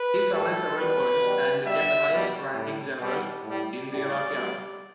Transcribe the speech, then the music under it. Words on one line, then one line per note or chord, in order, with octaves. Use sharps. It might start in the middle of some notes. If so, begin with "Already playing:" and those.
He survived several purges and became the highest-ranking general in the Iraqi Army.
Already playing: B4
A2 G3 A4
B2 G3 B4
B2 G3
B2 G3 E5
B2 G3
A2 G3
B2 G3
A2 G3
A2 G3 D5
B2 G3